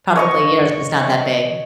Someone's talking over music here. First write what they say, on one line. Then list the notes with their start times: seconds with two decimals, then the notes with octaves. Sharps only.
Probably yours is not that big.
0.16 C#5 D#5 C#6